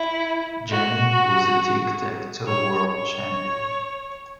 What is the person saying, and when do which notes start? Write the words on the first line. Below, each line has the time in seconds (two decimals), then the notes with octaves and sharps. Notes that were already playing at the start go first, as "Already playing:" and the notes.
Jenny was a tic-tac-toe world champion.
Already playing: E4
0.70 F#4
2.47 C#5
2.91 C#5